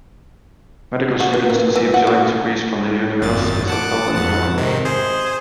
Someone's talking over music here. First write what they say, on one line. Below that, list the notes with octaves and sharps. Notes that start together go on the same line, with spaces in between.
Medical students receive joint degrees from the universities of Hull and York.
F#4
B3
A#3
E3
F#5
F#4
G#1 F#2 A6
F#5 A5 D6
F2 F#5 A5
G#2 C3 D#3
G#4 C5